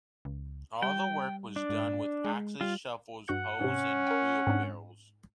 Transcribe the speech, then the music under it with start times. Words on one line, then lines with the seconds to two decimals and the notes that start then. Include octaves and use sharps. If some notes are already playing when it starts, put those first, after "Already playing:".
All of the work was done with axes, shovels, hoes and wheelbarrows.
0.25 C#2
0.82 G3 G5
1.56 D4
1.70 G#2
2.25 G#3
2.61 G3 F4
3.28 G2 F#4 F#5 G6
3.61 G#2 C3 C#4
4.07 A#4 G5
4.47 G#2 C4 D4